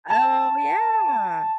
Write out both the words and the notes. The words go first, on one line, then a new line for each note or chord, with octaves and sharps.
Oh, yeah.
A5